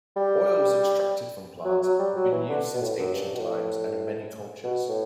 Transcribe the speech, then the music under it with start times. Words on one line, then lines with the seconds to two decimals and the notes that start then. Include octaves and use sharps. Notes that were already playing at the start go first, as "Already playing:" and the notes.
Oils extracted from plants have been used since ancient times and in many cultures.
0.17 G3
1.65 F#3
1.82 F#3
1.99 G3
2.16 F#3
2.32 E3
2.49 D3
2.74 B2
2.82 A2
2.99 F#2
3.14 G2
3.34 B2
3.39 A2
4.64 B2
4.89 A2